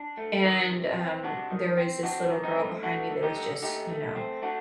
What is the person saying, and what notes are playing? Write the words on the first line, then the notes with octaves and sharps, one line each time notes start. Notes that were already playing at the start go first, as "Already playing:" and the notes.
and, um, there was this little girl behind me that was just, you know,
Already playing: D4
A3
D#3
C3
C4
C3 D4 F#4
D#3
C4
C4 D4 F#4
D#3
C4 D#4
A3
A3 D4 F#4
D3
D#4 G4
D3
A3 D#4 G4
A3
C4
A3 D4 F#4